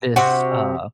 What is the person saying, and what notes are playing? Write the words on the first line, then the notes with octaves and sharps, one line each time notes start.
This, uh,
C3 C4 F#4